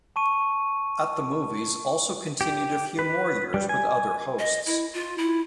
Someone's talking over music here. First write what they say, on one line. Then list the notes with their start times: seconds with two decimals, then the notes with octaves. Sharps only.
"At the Movies" also continued a few more years with other hosts.
0.16 A5 C#6 D#7
2.41 G4
2.99 B4
3.54 G3
3.69 G#5
4.39 D#5
4.66 E4
4.93 F4
5.18 E4